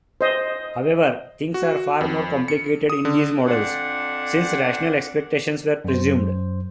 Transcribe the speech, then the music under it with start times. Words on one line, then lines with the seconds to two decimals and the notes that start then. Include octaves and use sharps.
However, things are far more complicated in these models, since rational expectations were presumed.
0.21 C5 D#5
1.54 F#4
2.01 F2
2.48 C#7
2.90 D#6
3.05 D3
3.46 F2 D4 F#5
5.84 F#2 C5